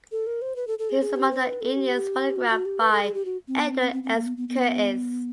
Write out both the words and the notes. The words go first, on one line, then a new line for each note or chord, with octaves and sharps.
He was among the Indians photographed by Edward S. Curtis.
A4
A#4
C5
B4
A4
A4
G#4
G#4
G4
C5
B4
A4
G4
F#4
F#4
G4
B4
A4
G#4
G4
F#4
C4
B3
C4
C4
C4
C4
A#3
B3
B3
B3